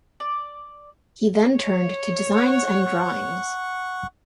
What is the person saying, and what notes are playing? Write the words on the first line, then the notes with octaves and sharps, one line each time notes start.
He then turned to designs and drawings.
D5
C#5
F#5 C#6